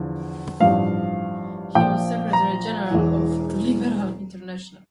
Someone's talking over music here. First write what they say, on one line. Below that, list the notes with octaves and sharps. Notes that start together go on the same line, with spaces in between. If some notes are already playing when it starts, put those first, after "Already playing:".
He was secretary general of Liberal International.
Already playing: E2 D3 F3
A1 G2 F3 F5
A#1 A#2 F3 G5
A#5
E1 E2 E3